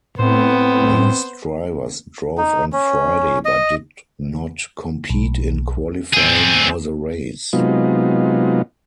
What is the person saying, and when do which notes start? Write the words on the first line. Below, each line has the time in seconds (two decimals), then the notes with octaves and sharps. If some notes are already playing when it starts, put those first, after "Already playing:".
These drivers drove on Friday but did not compete in qualifying or the race.
0.19 A2 B3 C4 C5
2.38 D#4
2.73 C#4
3.45 D#5
5.10 B1
6.13 C4 G#4
7.53 C3 F#3 G#3 B3 D#4 F4